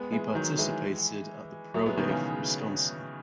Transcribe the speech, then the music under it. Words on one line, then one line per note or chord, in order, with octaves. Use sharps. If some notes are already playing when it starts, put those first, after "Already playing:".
He participated at the pro day for Wisconsin.
Already playing: G#3 B3
E3 G#3
D#3 F#3
E3 G#3
F#3 A3
G#3 B3
B2 D#3
C#3 E3